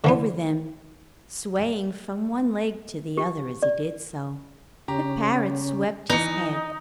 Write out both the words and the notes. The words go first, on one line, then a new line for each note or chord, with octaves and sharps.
Over them, swaying from one leg to the other as he did so, the parrot swept his head.
D3 E3 B3
G4
D5
C#3 C#4 G4 A#5
E3 D#4 D#5 C#7